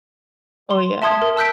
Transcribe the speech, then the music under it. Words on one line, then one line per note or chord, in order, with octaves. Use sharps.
Oh, yeah.
C6
E5 A5 C6 D#6 G#6
A#4
A5 E6 F#6 G6 B6 D7